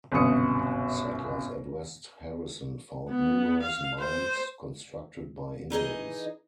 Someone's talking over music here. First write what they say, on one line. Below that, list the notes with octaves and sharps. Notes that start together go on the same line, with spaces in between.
Settlers at West Harrison found numerous mounds constructed by Indians.
G1 C2 F#2 B2 D#6 C#7
B3
F5
C5
E3 D#4 G#4 D#5